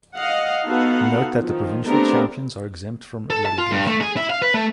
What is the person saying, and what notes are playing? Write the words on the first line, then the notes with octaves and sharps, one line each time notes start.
Note that the provincial champions are exempt from relegation.
D#5 F5 F#5
B3 D#4 F#4 A4 F5 F#5
D#3 F3
A3 B3 C4 D4 G4 A#4
A4
A5
F4
G2
A3
G#4
E4
F5
B4
A3